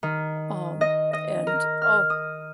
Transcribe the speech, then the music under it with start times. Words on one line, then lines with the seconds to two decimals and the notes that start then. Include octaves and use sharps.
um, and, oh
0.03 D#3
0.81 D#5
1.13 D#5
1.47 A#4
1.82 F6
2.10 D#6